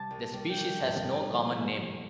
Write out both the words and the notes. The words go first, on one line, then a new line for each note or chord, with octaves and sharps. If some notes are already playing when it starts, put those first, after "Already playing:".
The species has no common name.
Already playing: C3 G3 A5
C2
G3
G5
C2
G2 A4
A1
G4
F3
F4
A3
G2